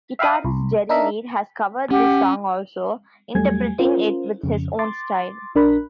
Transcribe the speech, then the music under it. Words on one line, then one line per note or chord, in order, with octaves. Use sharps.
Guitarist Jerry Reed has covered this song also, interpreting it with his own style.
E5 F5 G5 B5 D#6
C2
D4 D#4 A#4 E5
C#4 G4 F#5
E2 F#3 G3 A3 G#5 G#6
C#4 F4 A#4 C5
F2 C#3
C6 D6 A6
A#1 D4 A#4 B5 F#6